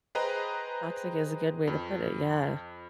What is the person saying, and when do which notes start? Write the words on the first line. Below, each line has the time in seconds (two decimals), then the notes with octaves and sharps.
Toxic is a good way to put it, yeah.
0.15 G#4 B4 C5 D#5 G5 A#5
1.67 F2